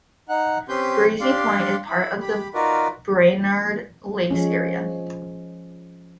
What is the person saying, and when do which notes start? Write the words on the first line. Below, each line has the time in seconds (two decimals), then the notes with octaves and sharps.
Breezy Point is part of the Brainerd Lakes Area.
0.29 D#4 F#5
0.69 C4 C#4 G4 B4 C6 G6
1.21 D4 G4 D5 F5 C6
1.89 E4 B5
2.21 G4 B5
2.54 D#4 F4 F#4 A#4 B4 D5
4.30 F3 G#3 C#4